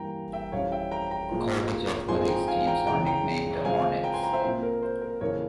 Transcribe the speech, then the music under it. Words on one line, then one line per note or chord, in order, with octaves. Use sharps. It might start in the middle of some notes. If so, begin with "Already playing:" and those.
College athletics teams are nicknamed the Hornets.
Already playing: G2 E3 G3 A#3 G5 A#5
E5 G5
F2 E3 G3 C#4 C#5 F5
E5 G5
G5 A#5
G5 A#5
A#2 F3 G#3
G#2 F3 G#3 C4 G#5 C6
G#5
G5 A#5
F5 G#5
G5 A#5
C#3 E3 G#3 G5 A#5
G5 A#5
C#3 F3 G#3 C4 F5 G#5
G5 A#5
G#5 C6
G5 A#5
C5 E5
A#2 F3 C4 C5
A#4
C5
A#4
F2 C#3 E3 A#3 A#4 C#5